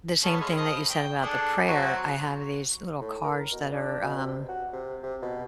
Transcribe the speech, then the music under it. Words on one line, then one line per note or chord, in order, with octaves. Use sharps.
the same thing that you said about the prayer, I have these little cards that are, um,
B3 C#4 A4
G#3 C#4 E4
F3 D#5
G5
D4 G#4 A4
F#3 C4 F#4
A2
A#4
B2
D4
B2
C3
F#4
C3
C3
B2